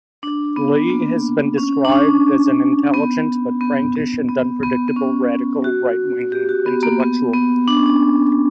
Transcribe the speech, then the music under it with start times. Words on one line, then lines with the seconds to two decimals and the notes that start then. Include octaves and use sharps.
Leigh has been described as an "intelligent but prankish and unpredictable radical rightwing intellectual".
0.23 D4
0.56 B3
0.90 A#3
1.58 C#4
1.85 D4
1.92 C#4
2.94 B3
3.61 B3
3.95 B3
4.29 B3
4.63 B3
4.88 B3
4.96 C#4
5.64 F#4
6.32 G4
6.49 F#4
6.66 B3
6.83 A#3
7.00 B3
7.33 B3
7.68 D4
7.77 C#4
7.86 D4